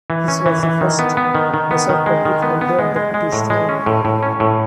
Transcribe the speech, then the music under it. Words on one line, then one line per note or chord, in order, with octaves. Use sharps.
This was the first Vesak public holiday under British rule.
E3
C#4
E3
E3
D#3
B3
B3
D#3
D#3
B3
D#3
G#3
D#3
B3
B3
G#3
G#3
G#3
A2
G#3
C#4
A2
A2
C#4
A2